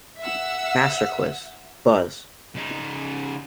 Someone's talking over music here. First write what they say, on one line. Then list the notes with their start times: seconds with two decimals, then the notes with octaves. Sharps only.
Master Quiz", "Buzz!
0.19 E5 F#5 E6
2.55 C#3 D#4